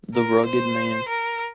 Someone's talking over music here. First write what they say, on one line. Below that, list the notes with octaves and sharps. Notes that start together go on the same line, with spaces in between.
The Rugged Man.
A#4
C5
A#4